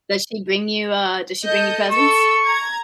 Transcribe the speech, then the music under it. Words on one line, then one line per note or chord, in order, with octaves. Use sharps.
Does she bring you, uh, does she bring you presents?
A4 D#5 G6
A4 C#6 E6
A#5 G#6